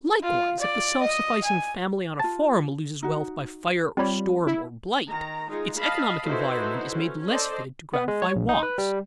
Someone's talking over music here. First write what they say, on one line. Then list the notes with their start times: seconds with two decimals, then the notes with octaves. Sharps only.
Likewise, if the self-sufficing family on a farm loses wealth by fire or storm or blight, its economic environment is made less fitted to gratify wants.
0.23 F4
0.59 D5
1.01 D#5
1.44 G#5
2.19 F4 A5 A6
3.03 D#4 F#4
3.97 G3 C4 F4 C#5 B5
4.47 E4
5.11 D#3 A#5
5.50 G#3 D#4 F4
5.80 D#5 F5 A5 B5
6.26 D#4 E4 F#4 A4 B4 C5
6.96 C#4
7.30 A4 C5 D5 D#5
7.93 B3
8.08 G#3
8.22 C#5
8.36 A#1
8.49 D#4
8.63 B4
8.78 G3